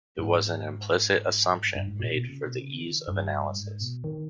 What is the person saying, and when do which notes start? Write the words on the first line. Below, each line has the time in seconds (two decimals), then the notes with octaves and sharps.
It was an implicit assumption made for the ease of analysis.
0.19 G#2
1.63 G2
1.76 G2
1.87 G#2
2.00 A#2
2.12 B2
2.28 C#3
2.43 B2
2.60 C#3
2.76 D#3
3.08 G2
3.56 G#2
3.81 B2
4.04 D#3